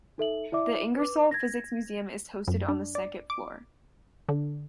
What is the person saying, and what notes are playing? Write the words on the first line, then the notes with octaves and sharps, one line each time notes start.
The Ingersoll Physics Museum is hosted on the second floor.
D#4 A4 E5 F#7
E4 D5 E5 D6
B4 D6
G#6 A#6
F#2
D4
D5
D6
D3